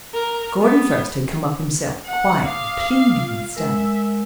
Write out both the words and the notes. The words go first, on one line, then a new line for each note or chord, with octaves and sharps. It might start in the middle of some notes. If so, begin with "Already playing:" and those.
Gordon first had come up himself, quietly, pleading with Stella.
A#4
B3
F#5
F5 D6 D#6
F4
G#3 A#4 E5